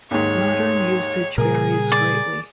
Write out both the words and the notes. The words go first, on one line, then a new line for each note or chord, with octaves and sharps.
Modern usage varies greatly.
D#2 G#2 C#5
A#2 C#3 G3 G#4 A#4
D5